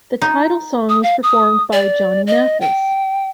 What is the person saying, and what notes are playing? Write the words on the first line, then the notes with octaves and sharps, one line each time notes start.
The title song was performed by Johnny Mathis.
D#4
D#6
F5
D#6
D5
D#5
G5